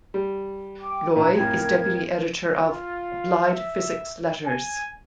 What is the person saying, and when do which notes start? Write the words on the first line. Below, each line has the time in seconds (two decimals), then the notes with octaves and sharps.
Loi is Deputy Editor of "Applied Physics Letters".
0.14 G3
0.79 G5 D6
1.16 A#2 D4 A5 A#5
1.37 F2 A2 A#4 G5 G#6
2.63 F4
3.43 E5
4.46 G#5